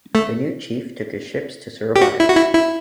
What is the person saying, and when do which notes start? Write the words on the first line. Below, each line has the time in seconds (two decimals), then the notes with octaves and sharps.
The new chief took the ships to Surabaya.
0.15 A3
1.96 G4
2.01 F#4
2.20 E4
2.28 F#4
2.37 E4
2.54 E4